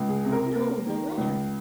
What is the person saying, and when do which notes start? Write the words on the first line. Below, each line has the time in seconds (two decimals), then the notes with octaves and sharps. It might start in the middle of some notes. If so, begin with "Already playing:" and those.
"No; the letter."
Already playing: C#2
0.09 G#4
0.25 C3
0.32 A#4
0.55 A#3
0.86 D#3
1.17 C#2